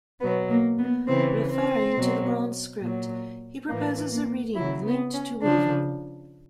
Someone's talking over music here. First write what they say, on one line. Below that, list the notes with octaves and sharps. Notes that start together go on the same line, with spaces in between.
Referring to the bronze script, he proposes a reading linked to weaving.
B2 F#3 B3
A#3
B3
C#3 E3 C4
C4
B2 F#3
A#2 F#3
A2 E3 A#3
A#3
C#3 F#3 E4
B3
C#4
C#3 F3 D4